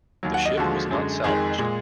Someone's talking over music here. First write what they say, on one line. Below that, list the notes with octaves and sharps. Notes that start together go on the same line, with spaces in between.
The ship was not salvaged.
D#2 D#3 F#3
F#5
D#5
D#2 D3 F3 G#3 F#4
F#2 D3 G#3
F2 D#3 G#3 G#4
A#2 G#3